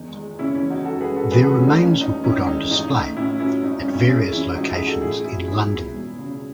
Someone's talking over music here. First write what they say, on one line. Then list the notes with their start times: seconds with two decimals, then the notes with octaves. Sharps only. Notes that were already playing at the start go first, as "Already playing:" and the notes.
Their remains were put on display at various locations in London.
Already playing: E2 D#3 D#4
0.16 G#3
0.39 C#3 C#4 E4
0.55 C#4 E4
0.62 E3
0.70 D#4 F#4
0.85 F#2 F#4 A4
0.96 A4
1.01 G#4 B4
1.09 F#2
1.16 F#4 A4
1.31 E3 G#4 B4
1.43 F#4 A4
1.54 A3 C#4
1.67 D#4
1.78 D#2 C#4
2.01 D#2 D#4
2.24 D#3 C#4 E4
2.47 G#3 D#4
2.70 A1 D#4
2.94 A3
3.17 A2 C#4 E4
3.40 F#3 C#4 E4
3.62 G#1 D#4
3.79 C#4
3.87 G#1
3.93 C#4 E4
4.09 F#2 E4 G#4
4.32 E3 C#4 E4
4.55 A1 D#4 F#4
4.70 E4 G#4
4.79 A1
4.86 F#4 A4
5.02 A2 E4 G#4
5.24 F#3 E4 G#4
5.48 E1 E4 G#4
5.71 E1
5.94 E2
6.18 C#3